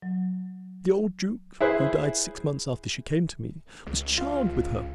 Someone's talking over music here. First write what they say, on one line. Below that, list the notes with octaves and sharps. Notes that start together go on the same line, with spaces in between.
The old Duke--he died six months after she came to me--was charmed with her.
F#3
E4 G#4 B4 C5
C#2
F4 F5